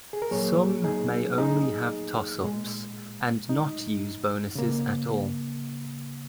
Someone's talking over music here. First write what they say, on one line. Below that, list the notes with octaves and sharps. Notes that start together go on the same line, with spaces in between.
Some may only have toss-ups and not use bonuses at all.
G#4
A#4
A#2 F#3 A#3 G#4 C#5
D#4 G#4
D#4 G#4
A#2 G#3
D#4
C#3 A#3